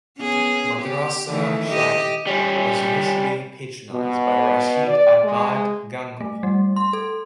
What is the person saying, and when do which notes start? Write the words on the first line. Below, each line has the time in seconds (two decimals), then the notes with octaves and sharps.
Madrasa Shahi was initially patronized by Rashid Ahmad Gangohi.
0.19 B3 C#4 G#4
0.82 G4
1.28 D#3 E3 A3
1.69 G4 D#5
2.27 G3 C#4
3.92 B2
4.88 D5
5.25 G#3
6.21 A3
6.43 G3
6.76 C6
6.93 A4